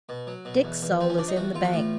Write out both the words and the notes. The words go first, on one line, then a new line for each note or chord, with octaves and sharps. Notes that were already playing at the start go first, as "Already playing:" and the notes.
Dick's soul is in the bank.
B2
F#3
B2
E2
E2
F3 C4
C#4
C#3 D4
D#4
E2 F#4
E2 F4
F#4
A2 F4